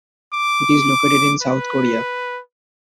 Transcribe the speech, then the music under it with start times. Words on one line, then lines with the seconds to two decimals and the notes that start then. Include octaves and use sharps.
It is located in South Korea.
0.34 D6
1.42 B4